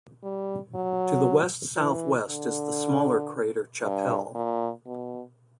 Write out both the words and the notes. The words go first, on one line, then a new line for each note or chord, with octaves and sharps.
To the west-southwest is the smaller crater Chappell.
G3
F#3
E3
D3
G2
A#2
B2